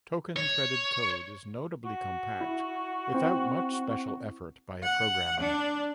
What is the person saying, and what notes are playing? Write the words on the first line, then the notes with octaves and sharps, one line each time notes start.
Token threaded code is notably compact, without much special effort by a programmer.
C#5
F#4
E4
C4 E4
F#5
D4